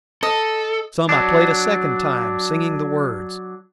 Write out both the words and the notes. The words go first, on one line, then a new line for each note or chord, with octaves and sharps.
Some I played a second time, singing the words.
A4 D#5
F#3 D4